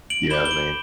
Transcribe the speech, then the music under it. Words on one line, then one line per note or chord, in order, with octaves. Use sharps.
You know what I mean?
D7 F#7
B5 D6 G6 E7 G7
G7
D7 F#7